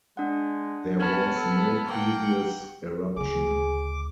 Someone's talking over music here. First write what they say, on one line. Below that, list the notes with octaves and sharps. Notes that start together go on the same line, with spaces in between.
There was no previous eruption.
G#3 D4 F#5
B3 C#4 A5 F6 G#6
A4
A#3 F#5 G5
D2 C#3 G#4 D6